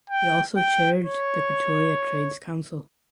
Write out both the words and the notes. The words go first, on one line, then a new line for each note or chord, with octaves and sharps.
He also chaired the Pretoria Trades Council.
G5
G5
C#5